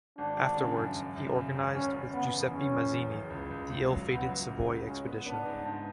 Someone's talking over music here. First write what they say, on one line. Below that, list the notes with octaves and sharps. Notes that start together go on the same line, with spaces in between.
Afterwards he organized, with Giuseppe Mazzini, the ill-fated Savoy expedition.
G#1 D4
G#1
C#3
F#2
F#2
F#2
C#3
G#1
F#1 C#4
F#1
C#3 B3
E2
F#1 C#4
F#1
E2
F#1
C#2
C#2
C#2
F#3
C#2 B3
F#3
C#2
C#2
G#3 C#4
B3
B3 D4
G#2
G#2